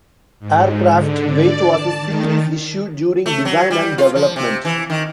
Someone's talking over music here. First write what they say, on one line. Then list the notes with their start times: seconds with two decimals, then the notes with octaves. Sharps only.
Aircraft weight was a serious issue during design and development.
0.39 G#2
0.89 D3
1.30 D5
1.68 A5
2.00 D#3
3.26 A3
3.45 F#3
3.71 G3
3.98 F4
4.16 F3
4.36 C3
4.65 E3
4.90 D#3